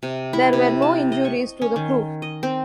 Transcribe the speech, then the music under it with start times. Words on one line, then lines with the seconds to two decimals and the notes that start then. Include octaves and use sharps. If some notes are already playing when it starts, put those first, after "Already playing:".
There were no injuries to the crew.
0.03 C3
0.33 E4
0.53 C3
0.82 A5
1.12 D#5
1.25 C#6
1.61 C#4
1.76 D#3
2.22 D#5
2.43 C4